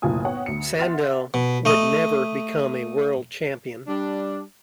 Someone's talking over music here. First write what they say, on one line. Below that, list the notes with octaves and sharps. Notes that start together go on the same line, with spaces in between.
Sandel would never become a world champion.
F#1 B1 A2 F4 G#5 D#6
B3 C#5 F#5 G5
D2 C#7
E5 F#5 C6 F6 A6
B2
A3 D#5
G3 D4